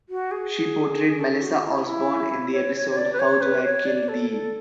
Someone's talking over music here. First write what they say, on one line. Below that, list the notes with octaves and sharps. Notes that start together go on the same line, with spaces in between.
She portrayed Melissa Osborne in the episode How Do I Kill Thee?
F#4
G#4
G#4
A4
F#4
E4
E4
C#5
C#5
C#5
D5
B4
C#5
B4
C#5
D5
A4
A4